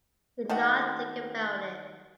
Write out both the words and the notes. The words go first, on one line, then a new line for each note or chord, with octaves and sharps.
Do not think about it.
D#3 A3 F#4